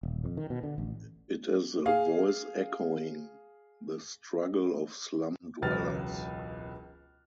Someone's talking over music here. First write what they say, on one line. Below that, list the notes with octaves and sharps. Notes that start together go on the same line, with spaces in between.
It is a voice echoing the struggle of slum-dwellers.
D#1
F2
D#3
B2
D3
A1
G#4 F5
E1 C#2 F#3 B4 F6 A6